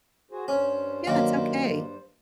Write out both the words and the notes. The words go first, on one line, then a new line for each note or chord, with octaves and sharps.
Yeah, it's okay.
F#4 G#4 C5
G2 C#4 C5
F#2 D#3 A#3